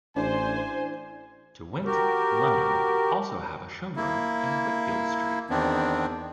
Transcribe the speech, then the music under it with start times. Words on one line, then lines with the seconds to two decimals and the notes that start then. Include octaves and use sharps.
Derwent London also have a showroom in Whitfield Street.
0.16 A1 D4 E4 C5 D5 G#5
1.85 F#4 G4 A#4
3.96 A#3 E4
5.50 E2 D#3 B3 C4 D4